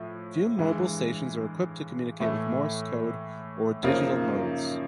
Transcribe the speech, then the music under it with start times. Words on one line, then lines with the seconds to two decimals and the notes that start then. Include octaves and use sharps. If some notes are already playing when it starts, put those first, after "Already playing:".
Few mobile stations are equipped to communicate with Morse code or digital modes.
Already playing: A2 F3
0.59 G2 E3 G#3
2.20 A2 E3 A3
3.83 F#2 C#3 F3 A#3 D#4